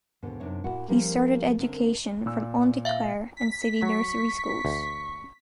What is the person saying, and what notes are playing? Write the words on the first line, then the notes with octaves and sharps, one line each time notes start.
He started education from Auntie Clare and City Nursery schools.
D#2 G#2 B2 D3
F#2 C3 D4 D#4 C#5
A#2 E4 F#4 F#5
F3 G3 A#3 C#4 G4 A#4
D3 C4 C#4 G4 A#4
A#2 E6
E5 F5
B6
F#3 C#6
D2